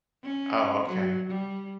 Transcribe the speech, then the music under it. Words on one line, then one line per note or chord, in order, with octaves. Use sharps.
Oh, okay.
C#4
F#3
G3